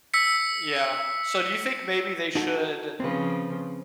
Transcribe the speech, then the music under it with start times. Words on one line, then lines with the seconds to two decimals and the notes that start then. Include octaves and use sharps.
Yeah, so do you think maybe they should
0.14 E6 B6 C#7
2.35 D#4 F#4 A4
3.00 C#3 F3 C4 B4